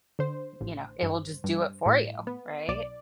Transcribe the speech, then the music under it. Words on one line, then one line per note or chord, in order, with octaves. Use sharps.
you know, it will just do it for you, right?
D3 C5
A1
G2
G2
A2
B3
B1 D5